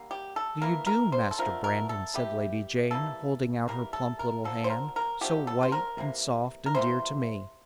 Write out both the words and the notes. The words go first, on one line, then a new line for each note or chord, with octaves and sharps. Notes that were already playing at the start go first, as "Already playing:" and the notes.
"How do you do, Master Brandon?" said Lady Jane, holding out her plump little hand, so white and soft, and dear to me.
Already playing: D3 G3 A#3
G4
A4
E3 A#3 A#4
A#4
C5
A4
D3 F3 A3 A#4
A#4
A4
E3 A3 G4
E3 G3 A#3 A4
E3 G3 A#3 A#4
A4
A#4
D3 F3 A#3 A4
C5
A#4
A#4
D3 F3 A3 G4
A4
C5
A#4
C3 E3 A#3
A#4
C3 E3 G3 A#3 C5